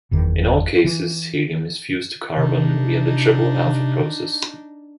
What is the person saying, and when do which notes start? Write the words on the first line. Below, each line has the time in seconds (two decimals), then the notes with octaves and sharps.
In all cases, helium is fused to carbon via the triple-alpha process.
0.11 F#1 E2 D#3
0.84 E3
2.37 C3 D4 D#4